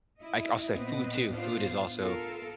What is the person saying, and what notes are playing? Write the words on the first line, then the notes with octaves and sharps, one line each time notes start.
I c I also have food too. Food is also,
E4 D#5
A#2 B3 C4 B4 D#5
A2 B3 D4 F4 C5 F5
B3 F4 A4 A#4